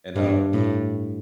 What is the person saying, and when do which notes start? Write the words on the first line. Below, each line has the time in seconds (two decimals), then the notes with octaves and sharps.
and, um,
0.16 G2
0.53 A2